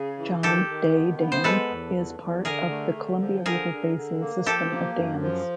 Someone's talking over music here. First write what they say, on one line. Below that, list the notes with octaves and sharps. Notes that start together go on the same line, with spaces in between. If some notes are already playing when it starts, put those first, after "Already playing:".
John Day Dam is part of the Columbia River Basin system of dams.
Already playing: C#3 G#4
E3
D#3 G4 A4
D#3
B3
B3
C5
G#3 A4 B4
E2
E2
E2
D3 G#4 A#4
A3
D3
F3
D3 G#4 A#4
D3
D3
A#3
F3 G4 A4
A#3
F#2
F3